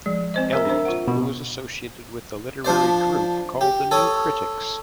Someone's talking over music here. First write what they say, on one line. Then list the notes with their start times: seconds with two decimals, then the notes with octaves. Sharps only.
Eliot, who is associated with the literary group called the New Critics.
0.06 F3 G#3
0.34 C4 C5 D#5
0.53 A#4 E5
0.65 D4 C5
0.85 F4 F#5
1.08 B2
2.65 F3 D4 C5 D5
3.61 G4
3.91 A4 C#5 D#6